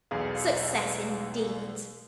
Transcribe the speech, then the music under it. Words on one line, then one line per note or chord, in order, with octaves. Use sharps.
Success indeed!
B1 E2 G#4 F5